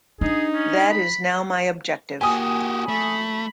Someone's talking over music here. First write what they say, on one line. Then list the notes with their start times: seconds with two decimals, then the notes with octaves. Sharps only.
That is now my objective.
0.21 D4 D#4 G#4
0.53 C#4
0.91 B5
2.21 A#3 F#4 G4 G#5 D#6
2.89 A3 B5